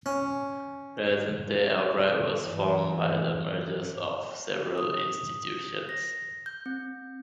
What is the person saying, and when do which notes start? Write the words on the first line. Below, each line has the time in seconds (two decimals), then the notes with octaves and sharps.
Present-day Albright was formed by the mergers of several institutions.
0.06 C#4
2.44 G2 E3
4.78 D#6
5.89 A#6
6.46 G6
6.66 C4